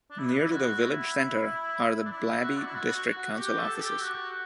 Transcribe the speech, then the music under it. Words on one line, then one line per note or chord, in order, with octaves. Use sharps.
Near to the village centre are the Blaby District Council offices.
D4
E4
D4
E4
F#4
E4
D4
E4
F#4
D4
E4
F#4
F#4
F#4
G4
A4
A4
G4
F#4